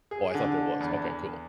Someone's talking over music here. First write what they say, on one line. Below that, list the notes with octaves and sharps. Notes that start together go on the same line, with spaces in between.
Oh, I thought there was. Okay. Cool,
G#4
D3
E2